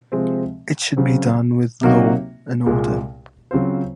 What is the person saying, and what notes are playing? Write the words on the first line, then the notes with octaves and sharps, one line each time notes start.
It should be done with law and order.
C3 F3 G#3 C4
C#3 F#3 C4
C3 F#3 A#3 D#4 F#4
C2 A#2 G#3
C#3 F#3 C4 F4 C5